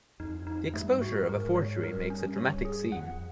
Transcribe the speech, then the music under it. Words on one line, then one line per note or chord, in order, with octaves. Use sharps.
The exposure of the forgery makes a dramatic scene.
F2 D#4
D#4
G2 A3
G#2 F#4
G2
G#2 A#4
C#5
G2 A#4
C#4
C#5
G#4
F2 F#5